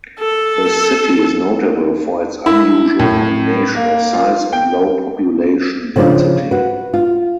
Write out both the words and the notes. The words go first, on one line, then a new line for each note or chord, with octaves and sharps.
The city is notable for its unusual combination of size and low population density.
A4
E4
A2
A#3
F4
G5
C#3 F3 D4 F4 D5
F#4 B4
F4